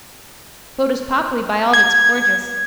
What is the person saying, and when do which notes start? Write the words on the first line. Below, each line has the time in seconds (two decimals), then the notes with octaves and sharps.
Photo's papli, by all that's gorgeous.
1.73 G#6